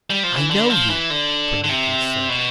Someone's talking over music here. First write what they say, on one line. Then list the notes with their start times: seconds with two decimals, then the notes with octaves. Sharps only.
"I know you," Prometheus said.
0.10 G3
0.23 F3
0.36 E3
0.50 D3
0.70 F3
0.90 E3
1.10 D3
1.64 D3
1.69 C3
2.29 B2